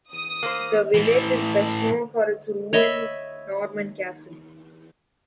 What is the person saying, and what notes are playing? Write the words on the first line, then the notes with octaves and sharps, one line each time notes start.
The village is best known for its ruined Norman castle.
D#6
A#3 C5
A2 E3
C#5 D#5 E5 B5